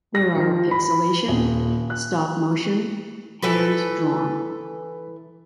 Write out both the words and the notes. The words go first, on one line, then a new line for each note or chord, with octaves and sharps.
There are pixilation, stop motion, hand drawn.
A#6
F3
B5
D#1
F#6
E3 E4 A4 B4